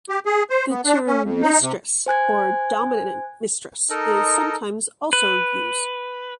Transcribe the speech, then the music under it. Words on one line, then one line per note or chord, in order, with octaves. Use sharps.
The term "mistress" or "dominant mistress" is sometimes also used.
G4
G#4
C5
B3
D4
C#4
F2
D#4
C3
C5 G#5 F#6 G#6
D#4 A4 A#4 D#5
B4